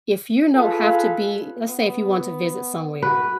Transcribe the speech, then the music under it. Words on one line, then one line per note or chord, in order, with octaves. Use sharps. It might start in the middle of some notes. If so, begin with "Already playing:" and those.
if you don't have to be let's say if you want to visit somewhere,
F4 G#4 A4 B4 F5
B3
F#4 B4